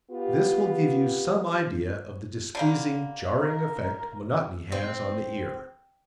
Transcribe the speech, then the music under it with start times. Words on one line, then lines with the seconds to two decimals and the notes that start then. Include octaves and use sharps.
This will give you some idea of the displeasing, jarring effect monotony has on the ear.
0.10 B3 F4 G4
2.55 D3 G3 A#3
3.41 A#4
4.72 C4